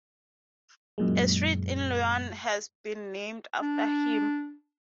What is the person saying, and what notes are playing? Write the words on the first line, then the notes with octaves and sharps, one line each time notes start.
A street in Lyon has been named after him.
F#2 A#2 G#3
D4